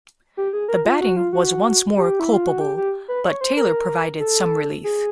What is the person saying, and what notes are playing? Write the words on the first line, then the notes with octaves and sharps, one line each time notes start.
The batting was once more culpable, but Taylor provided some relief.
G4
G#4
A#4
F4
F#4
F4
F#4
G4
E4
F4
F#4
G4
G4
B4
C#5
C5
A#4
A4
G#4